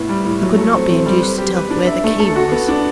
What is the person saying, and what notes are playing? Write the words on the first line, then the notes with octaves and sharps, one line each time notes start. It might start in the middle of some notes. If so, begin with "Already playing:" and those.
I could not be induced to tell where the key was.
Already playing: A2 B3
G3
A2
F#3
A3
C4
C4
G3
B4
G4
B4
D4
E5
A3
A4
F#4
B3
D4